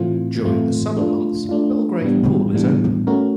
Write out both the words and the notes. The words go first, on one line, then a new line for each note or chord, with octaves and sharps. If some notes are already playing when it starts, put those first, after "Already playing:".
During the summer months Belgrave Pool is open.
Already playing: A2 E3 A3 C4 F4
A2 E3 A3 C4 F4
A3 D4 F4
A3 D4 F4
A2 E3 G3 B3 D4
A2 E3 G3 B3 D4
A3 C#4 F#4 A#4